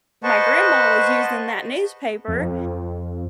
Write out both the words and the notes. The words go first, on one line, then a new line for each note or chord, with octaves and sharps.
my grandma was using that newspaper
B4 C5 D#5 F#5 A5 C#6
F2